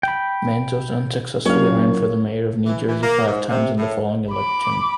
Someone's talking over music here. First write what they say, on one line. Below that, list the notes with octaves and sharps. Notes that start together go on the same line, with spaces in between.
Manzo unsuccessfully ran for mayor of Jersey City five times in the following elections.
G5 B5
F#1 F#3 F4 A#4 C#5 F5
E3
E3
A#3
G#2
C3
A2
B5 D6